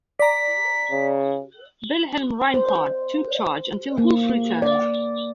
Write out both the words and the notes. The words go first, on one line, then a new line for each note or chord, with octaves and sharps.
Wilhelm Reinhard took charge until Wolff returned.
D5 A#5 B6
C#3
C5
A#3
D5